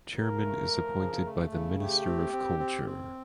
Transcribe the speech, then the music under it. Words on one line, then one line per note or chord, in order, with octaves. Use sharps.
Chairman is appointed by the Minister of Culture.
C#3 A#4
A3
F3
C#3
A3
C#3
A3 G4
C4
C4
C4
C4